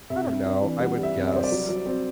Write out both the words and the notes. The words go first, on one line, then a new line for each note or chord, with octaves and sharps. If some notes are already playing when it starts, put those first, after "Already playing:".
I don't know, I would guess
C3 E5
C3
D4
E3
G3 F#5
G3
E5
C3
D5
G3 C5
D5
F#3
F#3
C4